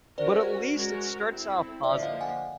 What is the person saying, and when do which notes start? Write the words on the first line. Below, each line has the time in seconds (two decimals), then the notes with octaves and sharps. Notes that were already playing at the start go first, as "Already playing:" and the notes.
But at least it starts off positive.
0.17 C#4 F#4 A#4 C5 D5
0.73 G#3 C#4 F#4 A#4
1.28 C4 E4 A4
1.83 D3 F3 A#3 D5 E5
2.03 D#5 F5
2.21 F#5 G#5